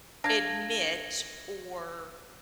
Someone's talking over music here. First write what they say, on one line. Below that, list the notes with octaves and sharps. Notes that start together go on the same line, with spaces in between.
admit or
D4 F5 G#6 A#6